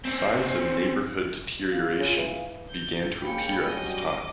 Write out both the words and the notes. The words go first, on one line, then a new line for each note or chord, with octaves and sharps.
Signs of neighborhood deterioration began to appear at this time.
C4 C#4
F5
C#3 F4
E3 F5
G6
G#3 A#3 C#4 G5 B5 C#7
F#3 G3 D#5
D6